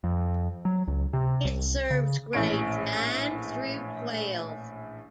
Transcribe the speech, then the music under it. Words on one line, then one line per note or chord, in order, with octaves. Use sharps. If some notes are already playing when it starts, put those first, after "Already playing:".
It serves grades nine through twelve.
F2
F#3
C#2
C3
C2
C#3
A#1 A2 E3 C#4 D7